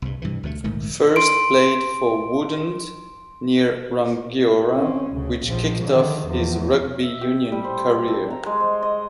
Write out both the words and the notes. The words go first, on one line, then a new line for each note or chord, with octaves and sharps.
First played for Woodend, near Rangiora which kicked off his Rugby Union career.
C2 G2
G2 C3 E3
D2 B2 E3 A3
A#1 G#2 D#3 A3
C6 D7
C4 C#4
D2 C#3
A#1 F3
D3 D#3
E2 F3
E5
G4
G3
C5
A4
A#5
G#3
C5
D#5